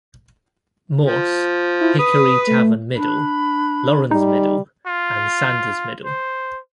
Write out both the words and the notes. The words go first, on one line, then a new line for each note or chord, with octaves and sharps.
Morse, Hickory Tavern Middle, Laurens Middle, and Sanders Middle.
F3
E4
B4 D#6
A3
D4 B5
G3 D#4
F4
C5